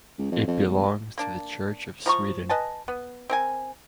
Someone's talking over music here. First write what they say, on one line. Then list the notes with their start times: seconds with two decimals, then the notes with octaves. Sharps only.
It belongs to the Church of Sweden.
0.18 C#2
0.31 F2
0.47 F2
0.66 E1
1.18 A#3 D4
2.06 F3 A#5 C#6
2.49 B4 D#5 G#5 A5
2.88 B3
3.29 C4 A#4 G#5